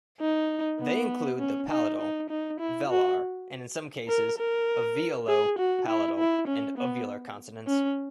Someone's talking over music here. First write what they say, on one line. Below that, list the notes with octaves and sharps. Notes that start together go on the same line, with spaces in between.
They include the palatal, velar and, in some cases, alveolo-palatal and uvular consonants.
D#4
B3
C#4
D#4
D#4
D#4
E4
F#4
A#4
A#4
G#4
F#4
E4
E4
C#4
B3
C#4